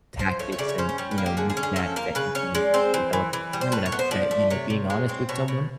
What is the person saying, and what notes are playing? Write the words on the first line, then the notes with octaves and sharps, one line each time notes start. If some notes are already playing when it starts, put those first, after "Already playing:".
tactics and, you know, knick-knacks that you can develop over time, and I think that, you know, being honest with someone,
F3 C5
A3 C#5
C#5
C#3 D5
C#5
C#4 C5
C5
G3 C#5
B4
A#3
G4
D3 G#4
G#4
C#4
G#4
F3 A4
A#3 A#4
C#3 B4
C#4 C#5
G#3 D5
C4 C5
E3
E3
E3
G3
C5
A2 B4
C#5
B3
C5
F3 D5
A3
C3 C#5
C3
G#3
C4
B2 C#5
B2